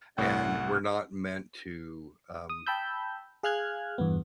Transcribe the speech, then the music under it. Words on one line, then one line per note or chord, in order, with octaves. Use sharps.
and we're not meant to, um,
C2 A2 F#5
D#6
G5 A5 B5 E6 G6
G#4 F5 F6 F#6 G#6
E2 G2 B3